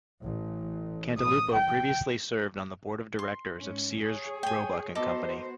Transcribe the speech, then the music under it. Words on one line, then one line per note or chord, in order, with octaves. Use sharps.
Cantalupo previously served on the board of directors of Sears, Roebuck and Company.
A1
D#6
G5
C6
G#2 C#4
G#4 C#5
G5 G#5
B3 D#4 F#4 A4 C5 D6